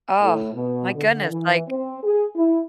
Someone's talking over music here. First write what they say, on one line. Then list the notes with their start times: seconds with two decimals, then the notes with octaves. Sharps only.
Oh, my goodness, like
0.21 A2
0.54 B2
0.94 D3
1.29 E3
1.68 C4
2.03 G#4
2.35 E4